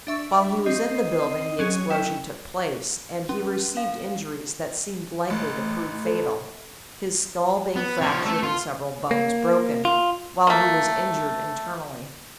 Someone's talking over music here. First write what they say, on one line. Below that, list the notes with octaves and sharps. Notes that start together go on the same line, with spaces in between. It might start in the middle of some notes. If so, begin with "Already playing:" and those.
While he was in the building the explosion took place, and he received injuries that seemed likely to prove fatal, his skull being fractured and several bones broken, while he was injured internally.
D4 E5 C#6
C4 D#5 C7
F#3 C#4 G#4
E4 G5
C#4
F5
A1
A4
B3
F3 C#4
A3 A4
F4
A#3
F4
A3 A#3